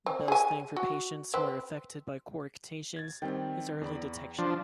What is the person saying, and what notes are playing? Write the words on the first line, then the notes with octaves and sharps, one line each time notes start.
The best thing for patients who are affected by coarctations is early detection.
C4
G#4 G#5
F#4
C4 B4
G#6 A6
D#3 G3 C4 G5
E2 D5 B5
F3 D4 A6